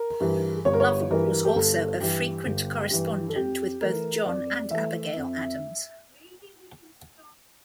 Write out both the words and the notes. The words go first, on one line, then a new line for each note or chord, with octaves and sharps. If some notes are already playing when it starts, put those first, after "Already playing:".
Lovell was also a frequent correspondent with both John and Abigail Adams.
Already playing: A#4
G2 E3
G1 C#5
A#4
C#5
G2 E3 A#4
G4
G1 A4
G2 E3 G4
G1
G2 E3
A4
F2 G4
E3 A3 A#4
F2 D5
E3 A3 E5
F2